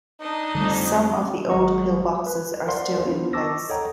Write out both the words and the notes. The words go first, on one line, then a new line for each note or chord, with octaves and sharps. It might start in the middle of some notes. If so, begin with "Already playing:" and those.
Some of the old pillboxes are still in place.
D4 D#4 D#5
F2 D3 G3 A3
G#1 F#3 G#3 D#5 F#5 C#6
B4
A#4 C5 D5 F5 F#5 C6
B3 D4 E4 F4 C5
A5 C#6 D6 E6 A#6
A4 C#5 D#5 F#5 G5 A#5